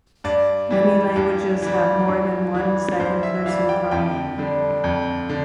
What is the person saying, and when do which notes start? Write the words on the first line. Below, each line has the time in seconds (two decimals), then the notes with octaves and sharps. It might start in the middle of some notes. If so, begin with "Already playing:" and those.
Many languages have more than one second-person pronoun.
0.24 G2 D5
0.71 E3 G3
1.16 G2
1.62 E3 G3
2.08 G2
2.54 E3 G3
3.00 G2 C5
3.23 E5
3.35 E5
3.46 E3 G3 F5
3.69 G5
3.91 F2 G5
4.38 D3 G3
4.84 F2
5.29 D3